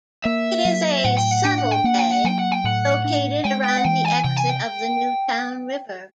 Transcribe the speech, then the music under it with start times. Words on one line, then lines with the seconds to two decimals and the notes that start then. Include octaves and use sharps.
It is a subtle bay located around the exit of the Newtown River.
0.25 A#3 E5
0.65 F#3
1.04 A2 F#5
1.18 G5
1.31 F#5
1.45 D4 G5
1.58 F#5
1.72 G5
1.84 A#3 F#5
1.99 G5
2.12 F#5
2.24 F#3 G5
2.39 F#5
2.52 G5
2.64 A2 F#5
3.04 D4
3.44 G#3 G5
3.64 G5
3.78 F#5
3.85 E3 G5
4.05 G#5
4.24 C3 G5
4.37 G#5
4.49 G5